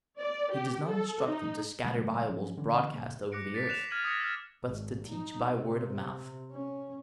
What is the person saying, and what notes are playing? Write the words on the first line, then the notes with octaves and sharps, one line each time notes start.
He does not instruct them to scatter Bibles broadcast over the earth, but to teach by word of mouth.
D5
G4
A4
D#4
C#3 F#3 G#3 A3
F3 F#3 C#4
D3 E3 C#4
F1 A#2 C#3 A#3
D6 F#6 A#6 C#7 D7
A6 B6
F#6 E7 F7
F6 G#6 D#7 F#7
D#6 G6 G#6 A#6 C#7
E6 F6
G#1
D#4
C3
C3
C#4